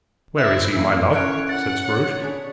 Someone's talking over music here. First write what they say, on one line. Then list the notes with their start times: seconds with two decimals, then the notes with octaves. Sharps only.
'Where is he, my love?' said Scrooge.
0.38 E4 C5 E5
0.74 E3 A#3 F#5
1.13 E3 C#4 A4 A#4 C#5 F6 F#6 D7
1.49 F#5 A6
1.86 C#5
2.20 B3 D4 G#4